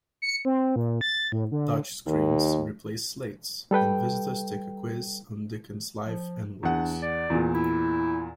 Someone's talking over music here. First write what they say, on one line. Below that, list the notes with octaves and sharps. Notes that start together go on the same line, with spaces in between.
Touch-screens replace slates, and visitors take a quiz on Dickens' life and works.
C#7
C4
A#2
A6
A2
D3
D#2 D#3
G3 A4 B4 G5
F3
E2 D4 F#5
D5
E2 A#2
E4